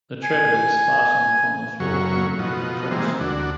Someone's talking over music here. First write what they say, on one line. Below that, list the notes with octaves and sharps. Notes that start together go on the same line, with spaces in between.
The treadle is fastened upon the floor underneath the press.
G#5
F#2 C#3 F#3 C#6
B2 F3 D#4 F#4
D#3 E3 G3 G#3 A#3 C4
D2 D4 F#4